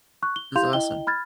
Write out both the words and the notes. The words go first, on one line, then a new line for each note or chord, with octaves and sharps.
That's awesome.
C#6 F#6
G7
E4 G4 F5 C6 G6 F7
E4 D#5 G5 G7
B5 F6 G#6 A6